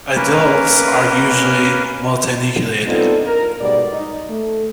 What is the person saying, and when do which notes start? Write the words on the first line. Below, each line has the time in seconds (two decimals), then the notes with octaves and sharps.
Adults are usually multinucleated.
0.15 A#3 C#4 A#4 B4
2.87 B3 C4 D4 D#4 F4 A4
3.26 A#4
3.61 G#2 B2 G3 A3 D5
3.92 D#4
4.29 A3